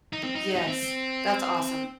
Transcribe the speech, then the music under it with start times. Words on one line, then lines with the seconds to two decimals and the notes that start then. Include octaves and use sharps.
Yes, that's awesome.
0.13 D#4
0.23 C4
0.35 D#4
0.56 D#4
0.67 C4